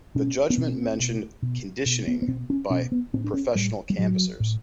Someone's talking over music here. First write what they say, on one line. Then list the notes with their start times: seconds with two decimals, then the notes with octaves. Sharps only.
The judgement mentioned "conditioning" by "professional canvassers".
0.15 B2 C#4
0.50 B3
0.57 B2 C4
1.00 B2
1.42 B2
1.86 B2
2.07 B3
2.22 B3
2.27 B2 C4
2.50 C#4
2.70 B2 C#4
2.92 B3
3.13 A2 C4
3.24 D4
3.34 C#4
3.55 A2 G3
3.90 G3
3.98 A2 F#3
4.40 A2